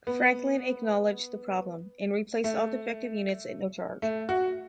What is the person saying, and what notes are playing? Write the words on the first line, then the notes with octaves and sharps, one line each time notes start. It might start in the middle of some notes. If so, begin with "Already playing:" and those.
Franklin acknowledged the problem, and replaced all defective units at no charge.
B3
A3
A3
F#4